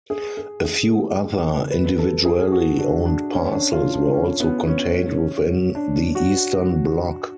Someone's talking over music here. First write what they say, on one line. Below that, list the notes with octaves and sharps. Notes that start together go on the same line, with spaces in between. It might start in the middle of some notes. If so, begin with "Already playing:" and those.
A few other individually owned parcels were also contained within the eastern block.
G#4
G#4
G#4
B4
A4
G#4
G#4
F#4
D4
D4
C#4
D4
F4
D4
C#4
B3
C#4
D4
F#4